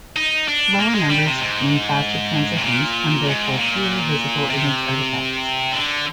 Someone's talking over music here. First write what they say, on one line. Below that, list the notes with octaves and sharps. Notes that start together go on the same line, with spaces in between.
Lower numbers mean faster transitions and therefore fewer visible image artifacts.
D#4
D4
A#3
G#3
G3
C3
G#2
C3
A#2
G#2
A#2
C3
D3